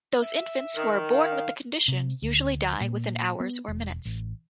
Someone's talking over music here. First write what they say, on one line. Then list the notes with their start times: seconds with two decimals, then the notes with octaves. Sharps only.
Those infants who are born with the condition usually die within hours or minutes.
0.22 E5
0.75 D#3
1.14 F5
1.88 C3
2.22 D2
2.81 A#2
3.40 B3
3.68 E1
4.05 A1